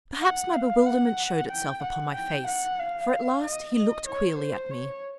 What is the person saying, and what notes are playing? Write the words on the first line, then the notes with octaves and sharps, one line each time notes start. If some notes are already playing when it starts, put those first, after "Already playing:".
Perhaps my bewilderment showed itself upon my face, for at last he looked queerly at me.
F#5
F5
F#5
G5
F#5
G5
F#5
F5
D#5
D#5
C#5
C5
C#5